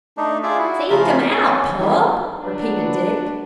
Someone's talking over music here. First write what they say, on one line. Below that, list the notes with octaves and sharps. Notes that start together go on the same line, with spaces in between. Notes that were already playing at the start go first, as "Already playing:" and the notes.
"Seek him out, pup!" repeated Dick.
A3 D4 D#4
F4 G#4 D5 E5
E4 F#4
C#3 F3 A3 F4 A#4 B5
C#4
D#3 E3 F#3 G3
F#3 D4 B4